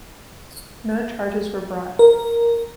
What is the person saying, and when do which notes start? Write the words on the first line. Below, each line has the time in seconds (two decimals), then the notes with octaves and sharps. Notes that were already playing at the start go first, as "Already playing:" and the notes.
No charges were brought.
1.99 A#4